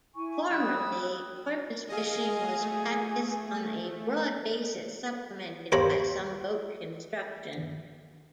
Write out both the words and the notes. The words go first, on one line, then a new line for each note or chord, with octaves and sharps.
Formerly, porpoise fishing was practised on a broad basis, supplemented by some boat construction.
E4 G#5 C#6
G3 B5 D#6 E6 F#6
G#4 D#5 F5
A3
A#3 G4 C5 C#5 A#5 B5